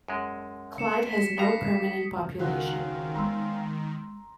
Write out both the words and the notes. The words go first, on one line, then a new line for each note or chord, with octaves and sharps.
Clyde has no permanent population.
F#2 G#3
C#7 E7
B6
G2 A#5 D#6 C7 C#7
C#2 D#3 F#3 C4 C#4 F5 F#6
G#3 B3 A#5 C6 E6